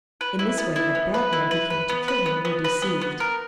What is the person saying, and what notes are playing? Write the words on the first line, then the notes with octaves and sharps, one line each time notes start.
In this way the bad men who came to kill him were deceived.
B4
E4
B3
E4
B3
B4
E4
B4
B4
B3
B4
B3
B3
B4
B3
B3
A#4